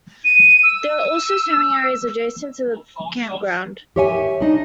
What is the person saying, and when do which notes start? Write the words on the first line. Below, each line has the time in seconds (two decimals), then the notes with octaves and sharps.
There are also swimming areas adjacent to the campground.
0.24 D#7
0.63 E6
3.96 G4 A#4 C#5 E5 F#5 G#5
4.40 D4 D#4 D#5